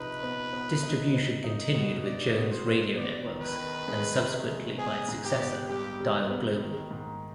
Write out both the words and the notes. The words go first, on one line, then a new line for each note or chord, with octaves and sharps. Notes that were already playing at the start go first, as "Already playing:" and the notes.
Distribution continued with Jones Radio Networks and subsequently by its successor, Dial Global.
Already playing: C3 F3 D#4 B4
B3
B3
D#4
B3
D#4
B2
B2 D5
B2
C5
B2
B3 D5
D#3
B4
D#3
G#3
C3
G#3
B3 G#4
G#2
G4
B3
G3 G4
G3
B3
D#3
G#2